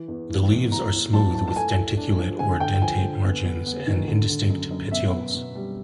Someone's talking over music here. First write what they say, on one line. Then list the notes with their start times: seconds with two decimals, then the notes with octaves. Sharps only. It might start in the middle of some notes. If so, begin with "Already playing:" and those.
The leaves are smooth with denticulate or dentate margins and indistinct petioles.
Already playing: E3
0.08 E2
0.30 E3
0.51 E2
0.71 A2 A#5
0.93 A2
1.13 F#3 A5
1.34 A2 A5
1.48 A5
1.56 A3 G#5
1.76 A2
1.97 D4
2.18 F3
2.39 D3 G#5
2.60 D3 G5
2.82 F3 G#5
3.03 D3
3.24 B3
3.45 B3
3.66 B3
3.87 D#3
4.07 D3
4.29 D3
4.50 F#2
4.71 F#2
4.91 B2 E5
5.12 B3
5.34 B2
5.55 G3